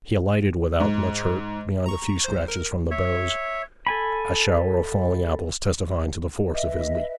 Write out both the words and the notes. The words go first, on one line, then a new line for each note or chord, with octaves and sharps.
He alighted without much hurt beyond a few scratches from the boughs, a shower of falling apples testifying to the force of his leap.
G#2
A#5 C#6
B1 C5
A#4
C#5 E5
A4 G#5 B5
B4 D#5 E5